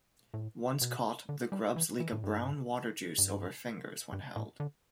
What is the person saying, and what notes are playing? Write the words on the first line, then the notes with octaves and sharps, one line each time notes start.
Once caught the grubs leak a brown water juice over fingers when held.
A2
B2
D3
G3
E3
E3
A2
G2
G2
G2
A2
D3